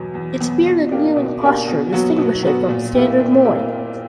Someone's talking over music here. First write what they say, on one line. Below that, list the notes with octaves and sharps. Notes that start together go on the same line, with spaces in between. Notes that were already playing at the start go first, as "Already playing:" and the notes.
Its beard and kneeling posture distinguish it from standard moai.
Already playing: E2 B2 F#3 B3
E2
B2 F#3 B3
B2
A#3 D4 G4
B2
A#3 D4 G4
B2
F#3 B3 F#4
B2
F#3 B3 F#4
A#2
A#3 E4 G4
A#2
A#3 E4 G4